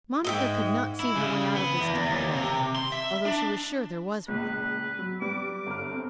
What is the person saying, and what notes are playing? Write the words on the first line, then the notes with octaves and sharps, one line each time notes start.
Monica could not see her way out of this difficulty, although she was sure there was one.
G#2 D#5 E5 G5
E4
C#3
B3
E2
E2
D#2
C3
C6
E5
D4
C#2 A#2 B4
F#3
G3 B3 D6
G1 F6
C4 A4